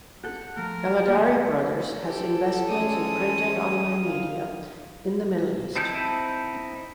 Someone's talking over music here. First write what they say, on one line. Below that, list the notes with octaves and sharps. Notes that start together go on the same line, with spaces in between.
Galadari Brothers has investments in print and online media in the Middle East.
G4 A4 F#5
F3 A3 A#4
A#3
E2 C3 F#5
G4 A4 C5 G#5
E3 G#3 C#4 G#4 D5 D#6
F5
C4 D#4 E4 A5 G6